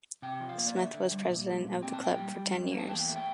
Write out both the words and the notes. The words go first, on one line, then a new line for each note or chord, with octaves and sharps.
Smith was president of the club for ten years.
C3 G5
F3
F5
A#3
D5
D3 E5
D3
G3
A#2
G3
A#2
C4 G5
A5
A#2 G5
G3
G3
F2
A#3
A5
E2 G5
A3
G5